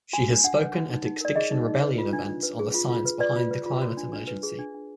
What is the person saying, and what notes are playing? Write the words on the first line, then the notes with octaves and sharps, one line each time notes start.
She has spoken at Extinction Rebellion events on the science behind the climate emergency.
F#4 G#5
D4
D4 F#5
B4
F#4
D#4
D#4
A#4 D5
G#4 D#5
D#4
D#4
B4
F4
D4
D4
B4
G#4
F4
F4
B4
B4 D5
F4
B4
F4
F#4
D4
D4
B4
G#4
D4
D4